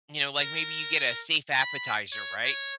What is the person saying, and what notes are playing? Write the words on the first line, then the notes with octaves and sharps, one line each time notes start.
you know, like, maybe you get a safe appetizer, right?
A#4
B5
C#5
C#5